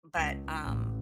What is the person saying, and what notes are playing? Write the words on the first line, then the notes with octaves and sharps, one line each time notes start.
But, um,
C#2
A1